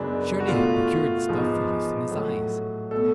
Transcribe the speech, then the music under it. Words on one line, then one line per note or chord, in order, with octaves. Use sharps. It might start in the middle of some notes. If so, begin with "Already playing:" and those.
Shirley had procured the stuff for use in his eyes.
Already playing: F#2 C#3 G#3 B3 D4
F#4
B2 A3 F4
G#2 F3 G#3 B3
A2 F#3 A3
B2 A3 A4